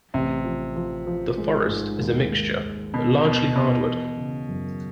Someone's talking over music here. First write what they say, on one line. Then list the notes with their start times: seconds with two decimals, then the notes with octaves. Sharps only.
The forest is a mixture, but largely hardwood.
0.14 A1 C3
0.44 F3
0.76 F3
1.07 F3
1.38 G#3
1.69 G#2
2.01 D#2
2.31 G#3
2.63 D#2
2.93 B2 D#3
3.24 D#2 B2
3.55 B2 D#3
3.86 E3
4.17 C#3
4.48 F#2